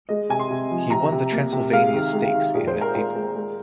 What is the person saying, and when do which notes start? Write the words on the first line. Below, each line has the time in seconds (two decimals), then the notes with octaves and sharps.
He won the Transylvania Stakes in April.
0.09 G#3 D#5
0.30 C3 G#5
0.40 C6
0.51 C3
0.71 F3
0.90 C3 A#5
1.12 C3
1.32 A#3
1.52 C3
1.73 G#3 F5
1.93 D#3
2.13 G#3
2.34 D#3
2.55 A#2 G#4
2.67 C5
2.74 G#3
2.81 A#4
2.95 G#3 A#4
3.16 G#3
3.36 G#3